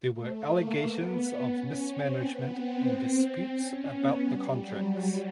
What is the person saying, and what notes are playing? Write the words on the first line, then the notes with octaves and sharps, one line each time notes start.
There were allegations of mismanagement and disputes about the contracts.
A3
A#3
B3
C#4
C4
B3
C4
C#4
B3
G3
F#3